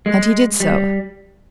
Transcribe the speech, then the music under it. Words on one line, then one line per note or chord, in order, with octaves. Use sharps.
And he did so.
G#3
G3